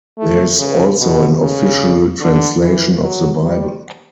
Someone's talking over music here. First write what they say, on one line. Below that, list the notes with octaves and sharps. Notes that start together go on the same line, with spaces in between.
There is also an official translation of the Bible.
A3
C#3
B2
C#3
D3
E3
F#3
G3